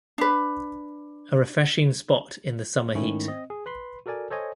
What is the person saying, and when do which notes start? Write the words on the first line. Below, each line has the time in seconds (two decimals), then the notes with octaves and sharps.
A refreshing spot in the summer heat.
0.18 D4 B4
2.95 G#2 D#3 A3 C#4 E4 C#6
3.28 C4 D#5
3.50 G#4
3.66 B4 B5 C6
4.06 F#4 A4 A#4 D5 G#5
4.30 A4 C5 C#5 D#5 G#5